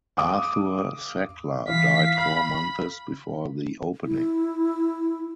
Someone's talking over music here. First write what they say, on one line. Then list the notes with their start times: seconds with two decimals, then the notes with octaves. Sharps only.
Arthur Sackler died four months before the opening.
0.19 F5 D6 D#6
1.68 E3 F5 B6
2.18 B5 F6
4.06 E4